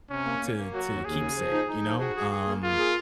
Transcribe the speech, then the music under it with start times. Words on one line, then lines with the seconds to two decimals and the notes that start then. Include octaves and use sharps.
to to keepsake, you know? Um
0.10 C3 C#4
0.25 A#3
0.42 A#3
0.57 A#3
0.73 F#3 F#4
0.89 D#2
1.05 D#2 G#4
1.20 C#3
1.37 F3
1.53 D#4
1.68 D#4
1.84 F3
2.00 F#4 G#4
2.16 G#4
2.31 G#4
2.46 A#3
2.62 A#3 F4
2.79 G#4